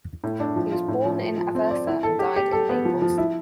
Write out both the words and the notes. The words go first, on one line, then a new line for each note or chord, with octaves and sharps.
He was born in Aversa and died in Naples.
A2
D4
F3
F4
A2
F3
F3
F3
C4
D5
E4
A4
G4
G4
A4
B3
F3
F3
E4